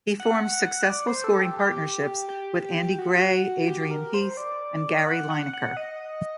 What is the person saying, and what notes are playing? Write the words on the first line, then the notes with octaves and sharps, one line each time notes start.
He formed successful scoring partnerships with Andy Gray, Adrian Heath and Gary Lineker.
F#5
D5
C5
A4
G4
G4
G4
F#4
G4
A#4
C5
D5
F#5
F#5
F#5
D#5